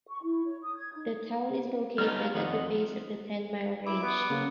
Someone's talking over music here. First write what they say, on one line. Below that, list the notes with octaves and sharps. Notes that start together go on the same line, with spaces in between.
The town is located at the base of the Tenmile Range.
C#6
E4
C#5
D#6
G#6
D#4
G3 A3 B3 D#4 F6
F4
F2 D#3 C4 D#5 F#5
E4 D6
B3
C#3 A#3